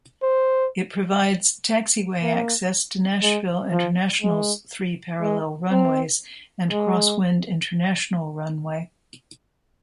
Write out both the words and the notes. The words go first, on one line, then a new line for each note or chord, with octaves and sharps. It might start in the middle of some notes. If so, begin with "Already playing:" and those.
It provides taxiway access to Nashville International's three parallel runways and crosswind international runway.
C5
A#3
G#3
F3
G#3
G#3
C4
G#3